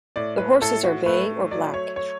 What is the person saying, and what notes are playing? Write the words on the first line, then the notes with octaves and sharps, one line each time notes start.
The horses are bay or black.
A2 D5
B4
A2 A4
F#4
A3 B4
F#3 D5
C#5
C#5